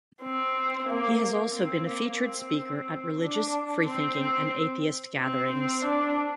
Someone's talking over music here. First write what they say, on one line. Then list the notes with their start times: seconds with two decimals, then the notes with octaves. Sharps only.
He has also been a featured speaker at religious, freethinking, and atheist gatherings.
0.23 C4
0.89 A#3
1.22 A#3
1.54 C4
1.87 A#3
2.21 C4
3.21 D4
3.86 C4
4.19 C4
5.19 C4
5.52 C4
5.85 D4